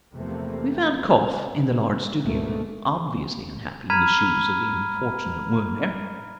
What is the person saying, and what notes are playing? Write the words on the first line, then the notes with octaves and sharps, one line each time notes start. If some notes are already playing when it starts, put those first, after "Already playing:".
We found Kauf in the large studio, obviously unhappy in the shoes of the unfortunate Werner.
E2 C3 F3 A3 A#3 C4
C#2
A2
D2 G#2 B2 A3 A#3
A#5 B5 F6 G#6 B6 D#7